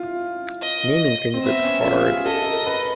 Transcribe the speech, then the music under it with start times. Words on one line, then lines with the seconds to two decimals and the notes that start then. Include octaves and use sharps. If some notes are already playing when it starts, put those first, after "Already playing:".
Naming things is hard.
Already playing: E4 F4
0.62 D#5
1.34 C4
1.43 B3 E5
1.64 C#4
1.85 F4
2.05 G#4
2.25 A4 D#5
2.45 A#4
2.66 B4